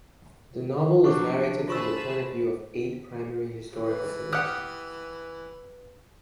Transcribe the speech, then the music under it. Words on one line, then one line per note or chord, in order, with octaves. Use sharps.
The novel is narrated from the point of view of eight primary historical figures.
F3 F#3 D4 F#4 F#5 C#6 D6
F4 G#4 C5 C#5 A5 B5 C#6 E6
E3
B4
G4 F#5 D#6 F6 F#6